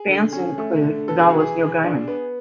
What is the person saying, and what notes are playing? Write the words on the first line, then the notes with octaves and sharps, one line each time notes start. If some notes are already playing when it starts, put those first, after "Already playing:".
Fans include the novelist Neil Gaiman.
Already playing: G#4
D3
C#4
A3
D3
B3 A4
G#4
E3 F#4
G#4
E3
D4
B3